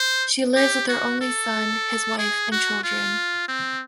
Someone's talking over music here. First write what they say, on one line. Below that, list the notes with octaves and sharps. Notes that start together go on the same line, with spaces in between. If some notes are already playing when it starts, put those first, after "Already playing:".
She lives with her only son, his wife and children.
Already playing: C5
G4
F#4
A4
G#4
F#4
F4
C4